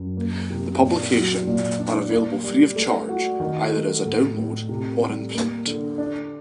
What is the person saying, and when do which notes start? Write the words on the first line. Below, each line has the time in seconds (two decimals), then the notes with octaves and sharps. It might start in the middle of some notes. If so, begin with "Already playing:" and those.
The publication are available free of charge, either as a download or in print.
Already playing: F#2
0.17 A#3
0.50 C3
0.82 A#2
1.14 F#3
1.47 A#2
1.79 D4
2.11 A#3
2.43 G3
2.76 A3
3.09 F#4
3.40 D#3
3.72 A3
4.05 A2
4.37 A2
4.69 C3
5.01 G3
5.35 A#3
5.67 D3
5.98 D4